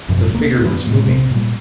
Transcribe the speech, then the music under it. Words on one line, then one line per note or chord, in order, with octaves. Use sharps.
The figure was moving.
G#1 F#2 B2 F3
D2 A#3
D#3 F3 B3
A2 G#3
A#1 C3 C4
A#2 G3